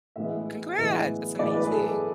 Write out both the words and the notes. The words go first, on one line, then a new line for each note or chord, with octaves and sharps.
Congrats! That's amazing.
A2 E3 G#3 B3 E5
A2 E3 G#3 B3
A2 E3 G#3 B3 D5
B4
G#4
A4